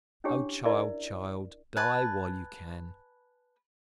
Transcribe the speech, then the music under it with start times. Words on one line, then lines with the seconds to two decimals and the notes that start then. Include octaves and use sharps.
O child, child! die while you can!
0.24 C#4 D4 E4 G4 G#4 C#5
0.65 E4 A#4 D5 E5
1.77 B4 G#5 A5